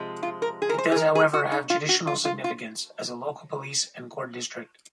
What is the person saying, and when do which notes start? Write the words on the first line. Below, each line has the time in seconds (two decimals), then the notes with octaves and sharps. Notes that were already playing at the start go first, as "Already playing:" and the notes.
It does, however, have judicional significance, as a local police and court district.
Already playing: C3 F3 G#3
0.23 F4
0.42 A#4
0.62 G#4
0.69 A#4
0.78 C5
0.92 G#4
0.96 A#4
1.15 G#4
1.33 F#4
1.52 D#4
1.70 F4
1.89 F#4
2.07 F4
2.25 F4
2.44 F4